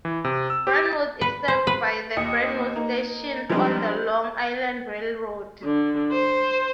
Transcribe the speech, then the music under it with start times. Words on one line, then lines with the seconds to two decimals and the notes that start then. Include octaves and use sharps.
Brentwood is served by the Brentwood station on the Long Island Rail Road.
0.05 E3
0.25 C3
0.50 E6
0.67 G4
0.86 A6
1.21 B4
1.48 C5
1.67 B4
2.17 D#2 D#5 C#7
2.76 A#3 D#4
3.50 F3 G3 G#3 C4 D4 D#4
5.63 D3
6.12 C5